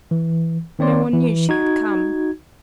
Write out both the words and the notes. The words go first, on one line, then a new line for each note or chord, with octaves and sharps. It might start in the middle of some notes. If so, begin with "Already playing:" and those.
No one knew she had come.
E3
D#3 C4 C#5 D5 C6
E3
D#4 F#4 G#6